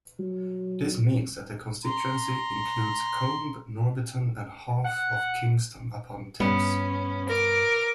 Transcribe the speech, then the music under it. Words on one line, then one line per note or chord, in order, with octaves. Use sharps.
This means that the constituency includes Coombe, Norbiton, and half of Kingston upon Thames.
F#3
A#5 C6
F#5
G2 B3 C#4
A#4 D6